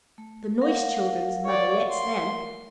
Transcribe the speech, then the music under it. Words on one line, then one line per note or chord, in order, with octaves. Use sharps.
"The Noyse children's mother lets them."
A3
A#4 F5 F#5
C#5 D5
C6